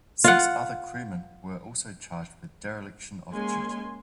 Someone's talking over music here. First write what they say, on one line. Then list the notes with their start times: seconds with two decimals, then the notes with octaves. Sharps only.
Six other crewmen were also charged with dereliction of duty.
0.24 F4 F#5
3.32 G#3 A#3 C#4 G#5 C6